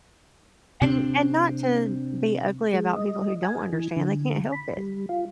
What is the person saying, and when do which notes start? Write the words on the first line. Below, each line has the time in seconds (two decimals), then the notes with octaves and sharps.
And and not to be ugly about people who don't understand, they can't help it.
0.82 C3 C4 D4
2.74 G#3
2.96 D#5
3.43 G#5
3.73 E3
3.97 D3
4.52 B5
4.77 G3
5.09 F4